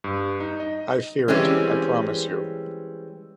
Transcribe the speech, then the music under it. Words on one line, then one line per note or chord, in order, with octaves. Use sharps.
I fear it, I promise you.
G2
D#4
D#5
E3 G3 G#3 C4 C#4